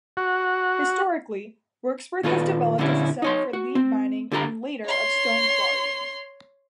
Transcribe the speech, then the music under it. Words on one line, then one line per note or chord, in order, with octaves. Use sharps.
Historically, Wirksworth developed as a centre for lead mining and later of stone quarrying.
F#4
A#2 D#3 F4 A4 B4
A#2 D3 A#3 C#4 E4 G4
D#4 C#5 C6
F#4
C4
D3 G4 A4 E5 A#5 B5
C#5 C6